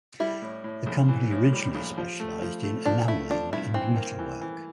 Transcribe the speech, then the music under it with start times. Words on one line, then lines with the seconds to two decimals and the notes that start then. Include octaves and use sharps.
The company originally specialised in enamelling and metalwork.
0.20 G3 E4
0.42 A2
0.64 A2
0.86 A#1
1.08 E3
1.31 A2
1.53 G3
1.75 A#1
1.98 F3
2.20 A3
2.42 F3
2.63 A3
2.85 F3 D4
3.08 A3 E4
3.30 F3 D4
3.52 G2 E4
3.74 E3 C4
3.97 A#3
4.19 E3
4.41 E3